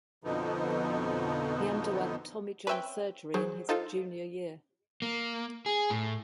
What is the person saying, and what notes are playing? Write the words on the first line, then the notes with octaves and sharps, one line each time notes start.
He underwent Tommy John surgery his junior year.
F2 B2 D3 F3 B3 D#4
C4 C#4 B4 E5 G5
F#3 G#4 C5
D#4 F4 A4 C5 F5
A#3
G#4
A2